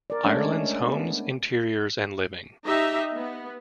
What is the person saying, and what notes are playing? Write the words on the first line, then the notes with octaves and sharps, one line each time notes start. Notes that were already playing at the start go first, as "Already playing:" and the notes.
Ireland's Homes Interiors and Living.
A#4 D5
G#3 A3 C#4 D4 C#5
B3
D#4 G4 D#5 E5 A#5
B3